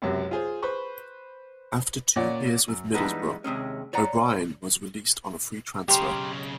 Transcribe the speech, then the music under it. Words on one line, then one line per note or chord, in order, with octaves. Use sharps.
After two years with Middlesbrough, O'Brien was released on a free transfer.
C#2 F#2 C3
F4 G#4 C5
B4 C5 B5 C#6
A#2 C#4 D5 F#5
F#2
E3 G3 G#3 B3 D4 D#4
D#2 C3 G#3 C#4
C#5 D5 F#5 A#5
B1 C#3 G4 A#5 C6